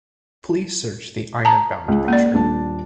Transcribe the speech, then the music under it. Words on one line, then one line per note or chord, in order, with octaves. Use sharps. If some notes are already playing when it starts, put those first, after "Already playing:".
Please search the Ironbound picture.
A5 A#5
C#2
A#3 D5
D#1 D4 A5